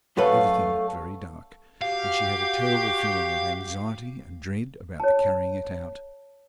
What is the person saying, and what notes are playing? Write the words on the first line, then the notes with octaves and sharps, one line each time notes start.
Everything looked very dark, and she had a terrible feeling of anxiety and dread about the carrying it out.
F#2 A3 A4 B4 C#5 F5
F#4 G4 F5
C#5 A5